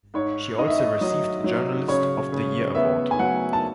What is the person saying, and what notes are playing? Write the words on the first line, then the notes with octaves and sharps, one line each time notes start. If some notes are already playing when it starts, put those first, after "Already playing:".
She also received a journalist of the year award.
G#2 C#5
G#2 D#5
E5
D#5
F#3 D#5
F#3
C#3 C#5
C#3
B3 E5
G#5
F#3 F#5
A5